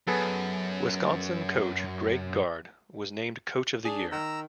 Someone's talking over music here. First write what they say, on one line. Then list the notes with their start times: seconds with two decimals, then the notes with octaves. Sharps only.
Wisconsin coach Greg Gard was named Coach of the Year.
0.08 F#2 B3 G#4 A4
3.85 D4 G#4
4.12 D#3 A#5 E6